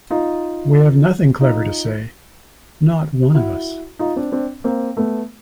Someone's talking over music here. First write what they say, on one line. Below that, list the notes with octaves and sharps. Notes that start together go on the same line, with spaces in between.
We have nothing clever to say — not one of us.
D#4 F4
D#4 F4
E4 F#4
D#4 F4
C4 D4
C4 D4
A#3 C4
A3 B3